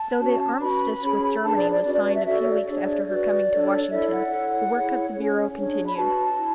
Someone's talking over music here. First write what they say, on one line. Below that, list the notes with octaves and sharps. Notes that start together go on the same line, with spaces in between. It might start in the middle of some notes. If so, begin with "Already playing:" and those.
Though the armistice with Germany was signed a few weeks after her coming to Washington, the work of the bureau continued.
Already playing: A5
C#4 F#4 C#5
C#4 F#4 B4 B5
C#4 G#4 C#5
D4 G#4 B4 A5
D5
D5
C#4 F#4 B4 D5
D5
D5
E5
F#4 A4 C#5 E5
D5
C#5
D5
D4 G#4 C#5
F#4 B4 D5
D4 A4 C#5
E4 A4 C#5 E5
F#5
E4 A4 C#5
E4 G#4 C#5
C#4 G#4 C#5
D4 G#4 C#5
B5
F#4 B4 A5
E4